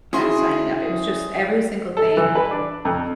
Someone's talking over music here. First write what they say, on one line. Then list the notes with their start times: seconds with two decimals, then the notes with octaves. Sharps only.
I'm signing up." It was just every single thing
0.13 C#4 E4 F#4 G#4 C6
1.97 A4
2.17 E3
2.35 B4
2.51 D4
2.85 F2